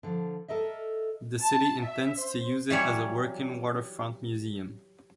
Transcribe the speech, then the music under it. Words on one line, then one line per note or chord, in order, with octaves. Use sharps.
The city intends to use it as a working waterfront museum.
D3 F3
A4 A#4 D#5 E5
A5
E5
C5
E3 F#3 G3 C#5